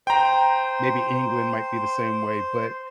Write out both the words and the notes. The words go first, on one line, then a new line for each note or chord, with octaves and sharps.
maybe England might be the same way. But,
C5 G5 A#5